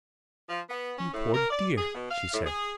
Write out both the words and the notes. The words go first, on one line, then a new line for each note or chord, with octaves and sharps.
"You poor dear!" she said.
F3
B3
C#4
A2
A#4
D5
G#4
B2
F5
A2
G#4